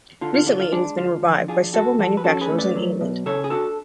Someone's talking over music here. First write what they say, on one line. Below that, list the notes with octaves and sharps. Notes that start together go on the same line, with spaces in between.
Recently it has been revived by several manufacturers in England.
D3 F4
F4
D4 F4
F4
G#3 D4
D3 F4
F3
D4 F4 G#4
G#3 F#4 A4
F3 F#4 A4
B4
C#4 F#4 A4
G#4 B4
A3
B4 D5
F#3
B2
C#3 A4 C#5
G#4
D4 F#4 A4